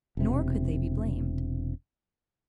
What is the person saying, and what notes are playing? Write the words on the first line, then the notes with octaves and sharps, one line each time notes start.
Nor could they be blamed.
E1 C3